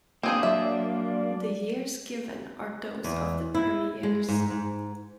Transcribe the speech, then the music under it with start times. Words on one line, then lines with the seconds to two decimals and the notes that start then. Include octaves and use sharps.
The years given are those of the premieres.
0.23 A#3 C4 D4 G#4 C5 D#6
0.43 F#3 D5 E5
3.04 E2
3.55 E4
4.03 G#3
4.28 G#2
4.50 G#2